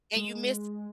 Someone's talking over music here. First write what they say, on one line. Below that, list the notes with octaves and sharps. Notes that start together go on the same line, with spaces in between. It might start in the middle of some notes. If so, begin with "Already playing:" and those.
and you miss
G#3